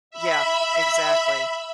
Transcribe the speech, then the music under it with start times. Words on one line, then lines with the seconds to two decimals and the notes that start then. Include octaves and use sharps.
Yeah, exactly.
0.11 E5 B5